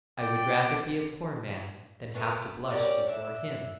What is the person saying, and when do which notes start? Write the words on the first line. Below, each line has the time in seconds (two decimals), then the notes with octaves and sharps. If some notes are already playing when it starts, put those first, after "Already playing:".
I would rather be a poor man than have to blush before him.'
0.19 D5 G5
2.14 A3 B3 A#4
2.70 G3 C#4 A#4 D5
3.07 D3 E5